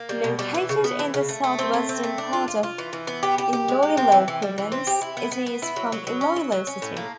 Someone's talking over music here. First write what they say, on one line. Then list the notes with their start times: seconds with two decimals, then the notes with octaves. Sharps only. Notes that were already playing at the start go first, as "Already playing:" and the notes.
Located in the southwestern part of Iloilo Province, it is from Iloilo City.
Already playing: A#3
0.09 G3
0.24 B2
0.39 G3
0.54 E3
0.69 C#3
0.84 B3
0.99 E3
1.14 C#3
1.29 A3
1.44 A3
1.59 C4
1.73 A3
1.89 C4
2.03 A3
2.18 D4
2.33 F4
2.48 F4
2.63 F4
2.78 E3
2.93 E3
3.07 B3
3.23 G4
3.38 G4
3.53 G4
3.68 G#3
3.83 G4
3.97 C4
4.12 E3
4.28 E3
4.42 G3
4.58 E3
4.72 C4
4.87 G4
5.02 E4
5.17 B3
5.32 B3
5.46 B3
5.62 E4
5.76 F#3
5.92 F#3
6.07 F#3
6.21 C#4
6.36 F#3
6.52 F#3
6.67 C#4
6.82 A2
6.97 A#3